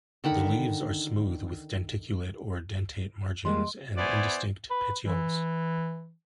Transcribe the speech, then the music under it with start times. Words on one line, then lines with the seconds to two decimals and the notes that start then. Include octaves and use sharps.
The leaves are smooth with denticulate or dentate margins and indistinct petioles.
0.24 D3 D#3 F#5 B5
3.45 G3 G#3 A#3 D#5 C6
3.98 B3 E4 C5 D5 G#5
4.70 B4
5.04 E3